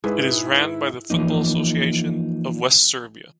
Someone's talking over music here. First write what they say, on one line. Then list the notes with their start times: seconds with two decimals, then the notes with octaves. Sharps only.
It is ran by the Football Association of West Serbia.
0.04 G#2 E4 G#4 B4
1.10 E3 F3 A#3 D#4